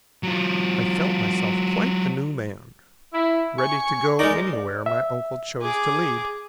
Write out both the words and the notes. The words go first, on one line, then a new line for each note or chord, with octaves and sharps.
I felt myself quite a new man, ready to go anywhere my uncle chose to lead.
F#3 F4
E4
G#5 C#6
G#3 D#4 A#4 D5
D5
E5
G#4 D6